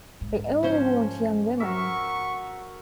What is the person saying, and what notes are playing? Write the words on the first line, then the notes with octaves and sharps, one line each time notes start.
They only want young women.
G#2
F3 C#4 C5
F#4 A#4 E5 C#6